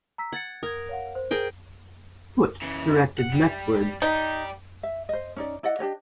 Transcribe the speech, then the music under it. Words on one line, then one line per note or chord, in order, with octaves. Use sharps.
Foot directed leftwards.
A#5 E6 B6
F#5 G#6 A6 C#7
A#4 D#6 G#6
C#5 F5 F#5
C5
G#4 A#4 G5
C#3 E3
F#5
G3
D#4 G4 D5
E5
C5 D#5
C#4 D#4 D5
E4 D5 D#5 F#5
D4 G4 C#5 D#5